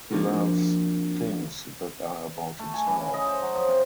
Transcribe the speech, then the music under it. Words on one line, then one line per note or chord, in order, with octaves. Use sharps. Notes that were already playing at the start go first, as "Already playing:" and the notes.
He loves things that are about himself.
F3 A#3 C4 D4 F#4 A#4
A3
G#5
E3
C#3
D#5
C5
F#3
F3
C3